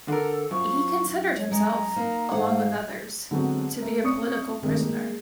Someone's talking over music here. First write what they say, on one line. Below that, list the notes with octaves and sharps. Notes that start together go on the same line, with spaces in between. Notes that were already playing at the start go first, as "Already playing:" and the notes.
He considered himself, along with others, to be a political prisoner.
D3 A4 A#4
F#2 F3 C#6
C#5
G#3 A#5
A#3 D#4
G#2 F5 F#5
D3 F#3 G#3 B3 C4 F#4
A3 A#4
C4 C#4 D5 C#6 D#6 C#7
C3 D#3 G#3 A3 D4
G#3 A#3